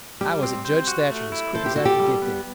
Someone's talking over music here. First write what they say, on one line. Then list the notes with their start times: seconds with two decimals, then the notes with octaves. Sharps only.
I was at Judge Thatcher's as quick as I could get there.
0.21 G3 G4
0.43 C4
0.65 C5
0.88 F#4
1.10 A3
1.32 E4
1.55 A4 C5
1.66 G4
1.76 F#4 A4
1.85 G4
2.00 G3
2.22 B3